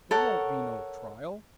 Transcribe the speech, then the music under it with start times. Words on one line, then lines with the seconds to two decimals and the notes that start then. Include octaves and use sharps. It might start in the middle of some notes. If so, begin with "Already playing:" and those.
There won't be no trial.
0.11 A4 A#4 C#5 F#5